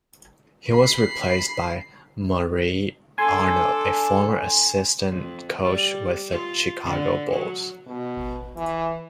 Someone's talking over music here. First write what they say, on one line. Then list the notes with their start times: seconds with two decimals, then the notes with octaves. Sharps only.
He was replaced by Murray Arnold, a former assistant coach with the Chicago Bulls.
0.73 B5 C7
3.18 D4 A4 G#5 C6
5.09 F2
5.61 G3
6.30 F4
6.84 D3
7.30 F#3
7.87 B2
8.56 E3